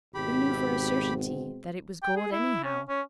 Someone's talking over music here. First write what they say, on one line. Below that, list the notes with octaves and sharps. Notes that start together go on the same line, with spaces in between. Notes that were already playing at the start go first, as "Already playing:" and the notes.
Who knew for a certainty that it was gold anyhow?
G#1 B2 G#3 C4 G4 B5
G5
G#4
E4
C#4
C#4